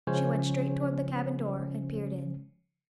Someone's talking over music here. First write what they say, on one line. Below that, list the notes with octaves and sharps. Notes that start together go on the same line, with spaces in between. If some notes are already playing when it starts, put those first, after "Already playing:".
She went straight toward the cabin door and peered in.
C#3 F3 G#3 C#4 C5 C#5